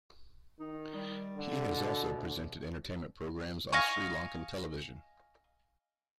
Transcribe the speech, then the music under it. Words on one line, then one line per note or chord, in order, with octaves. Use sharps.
He has also presented entertainment programmes on Sri Lankan television.
D#3 D#4
G3
D3
B2
D2
D#5 F5 G#5 C#6